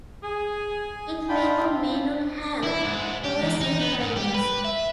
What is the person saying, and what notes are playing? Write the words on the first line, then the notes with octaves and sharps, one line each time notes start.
It may or may not have corrosive primers.
G#4 G#5
D4 F4 G5 B5
E4
G#2
G4
E2
D#4
B3
G#2
G4
B4
E5